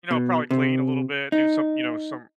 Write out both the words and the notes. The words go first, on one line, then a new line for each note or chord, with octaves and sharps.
you know, probably clean a little bit, do some you know, some
B2
C3
D#4